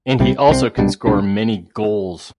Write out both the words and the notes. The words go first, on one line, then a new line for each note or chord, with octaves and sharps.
And he also can score many goals.
C2 C3 G3 C4
C2 C3 G3 C4
C2 B2 G3 D4
C2 B2 G3 D4